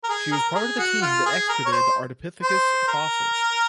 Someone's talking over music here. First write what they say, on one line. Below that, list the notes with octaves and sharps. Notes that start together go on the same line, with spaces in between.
She was part of the team that excavated the Ardipithecus fossils.
A#4
G#4
A#4
A#4
G#4
F#4
F4
G#4
A#4
C#5
C5
C5
A#4